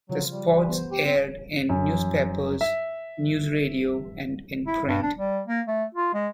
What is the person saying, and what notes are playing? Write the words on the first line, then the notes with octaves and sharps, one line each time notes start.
The spots aired in newspapers, news radio and in print.
C#3 F3 F#3 F4
G3
G4 B4
B3 C5
G4
C4
F#2
E5
E4
G2
D4
G3
A#3
A3
F4
G#3